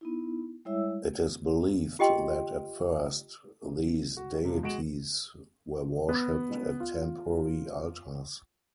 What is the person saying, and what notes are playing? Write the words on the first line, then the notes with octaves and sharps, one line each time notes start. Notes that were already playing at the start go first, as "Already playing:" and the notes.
It is believed that, at first, these deities were worshiped at temporary altars.
B3 D#4 E4
G3 G#3 E4 C#5 E5 E6
F4 G4 D#5 G5 C6
F#4
C3 F3
G#3 F#4 D7 E7 F#7
B3
F4